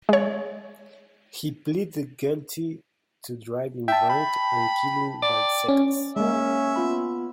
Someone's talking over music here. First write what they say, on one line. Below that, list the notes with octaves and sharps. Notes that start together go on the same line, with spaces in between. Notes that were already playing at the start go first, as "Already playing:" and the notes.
He pleaded guilty to driving drunk and killing Balzekas.
G#3 C#5
E5 G5 A5
B5
D5
C#4
G#3 A#3 C#4 E5
B3 F4 B5